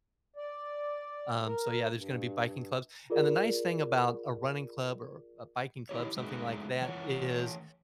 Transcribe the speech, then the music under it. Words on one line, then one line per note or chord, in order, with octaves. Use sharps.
um, so, yeah, there's gonna be biking clubs, and the nice thing about a running club or a biking club, something like that, is
D5
A#4
G2
F4 G#4 A#4 D5
D#4 E4 G4 C#5
G#3 A3 D#4 F#4 G#4 B4
E3 A3 C#5 F#5